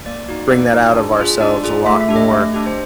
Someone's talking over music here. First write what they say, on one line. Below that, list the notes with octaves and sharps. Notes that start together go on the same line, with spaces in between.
bring that out of ourselves a lot more,
A#3 D5
D#4 F#4
A#3 D5
D#4 F#4
D4
F4 G#4
D4 D5
F4 G#4
A3 E5
E5
D4 G4
D#5
A3
D4 G4
C5